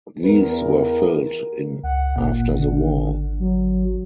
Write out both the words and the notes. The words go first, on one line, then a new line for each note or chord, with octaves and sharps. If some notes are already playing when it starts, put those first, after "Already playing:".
These were filled in after the war.
E2 A#4
C#2 F#5
G#1 A#2
D3
F#3